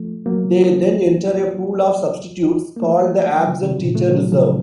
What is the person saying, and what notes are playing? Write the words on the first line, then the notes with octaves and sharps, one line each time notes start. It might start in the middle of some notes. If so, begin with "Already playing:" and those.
They then enter a pool of substitutes, called the Absent Teacher Reserve.
Already playing: F3 A3
F#3 A#3
A#3
F3 A3
F#3
C#3 F3
C3 D#3
A#2 C#3
F3 A3
D#3 F#3
C#3 F3